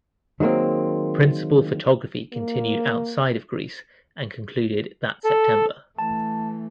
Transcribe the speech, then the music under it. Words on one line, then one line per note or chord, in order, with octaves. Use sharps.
Principal photography continued outside of Greece and concluded that September.
D#3 F#3 G#3 A#3 C4
A#3
A4
E3 A3 A5